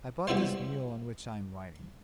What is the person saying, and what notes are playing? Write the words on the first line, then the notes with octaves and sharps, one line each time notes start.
'I bought this mule on which I am riding.'
G3 B3 C4 E4 F4 C5